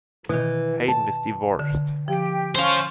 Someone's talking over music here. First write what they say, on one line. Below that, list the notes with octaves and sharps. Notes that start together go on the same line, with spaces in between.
Hayden is divorced.
B2 D#3 E3
A5
D3
F3 G4 G5
C#4 C5 F5 C#6